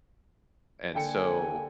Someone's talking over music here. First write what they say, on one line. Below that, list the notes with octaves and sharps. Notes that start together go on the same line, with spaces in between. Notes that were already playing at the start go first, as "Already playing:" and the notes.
And so
D3 A#3 A4 G5 G#5 C#7